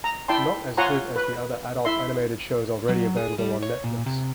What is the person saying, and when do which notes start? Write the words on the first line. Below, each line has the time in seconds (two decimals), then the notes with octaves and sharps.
Not as good as the other adult animated shows already available on Netflix.
0.04 A#5
0.28 E4 D5 G5 A5 C6
0.77 F4 C#5 F#5 G#5 A#5 C6
1.16 B4
1.85 E4 E5 C6
2.89 F#3
3.17 G#4
3.38 G3
3.63 C#5
3.84 A#2
4.06 C3